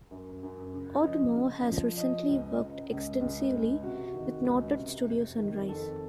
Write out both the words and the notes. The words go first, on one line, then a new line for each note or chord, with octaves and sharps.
Otomo has recently worked extensively with noted studio Sunrise.
F#2
F#2
C#3
F3 D#5
C#3
F3
F3 D#5
C#2
C#3
C#2
C#2
C#2
C3 F#4
D#3
C#2
C3
F2
D#3
F2 A4